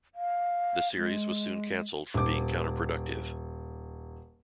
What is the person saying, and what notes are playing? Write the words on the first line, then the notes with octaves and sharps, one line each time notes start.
The series was soon cancelled for being counter productive.
F5
G#3
D#1 D6